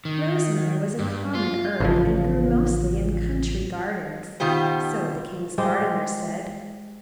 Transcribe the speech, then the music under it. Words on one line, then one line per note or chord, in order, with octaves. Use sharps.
Rosemary was a common herb and grew, mostly, in country gardens, so the king's gardeners said.
D#3
G2
F4
A1 C#3 F3
B2 D#3 F4 G4 C5
G3 G#3 G4 C5